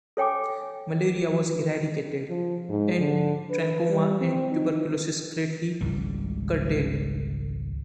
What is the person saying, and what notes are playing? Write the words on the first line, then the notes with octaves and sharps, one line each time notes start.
Malaria was eradicated, and trachoma and tuberculosis greatly curtailed.
A4 C#5 G5 G#5 D6
F3
G#2
D3
B4
G3
C4
D#4
G#1 C#2 C#3 G3